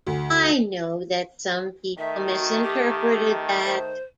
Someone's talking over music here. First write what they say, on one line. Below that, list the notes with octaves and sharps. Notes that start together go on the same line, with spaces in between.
I know that some people misinterpreted that.
D2
D#3 A3 E5
F#4
G4
C5